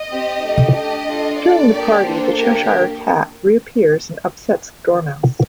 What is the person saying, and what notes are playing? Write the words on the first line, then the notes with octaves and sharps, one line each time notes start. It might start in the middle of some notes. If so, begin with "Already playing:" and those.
During the party, the Cheshire Cat reappears and upsets the Dormouse.
Already playing: D#5
C4 G4
A3 D#4 G4
D4 G4 D#5
D4 F4 A4
D4 A4 D5
A#3 D4 G4
A#3 D4 A4 C5
A#3 D4 G4 A#4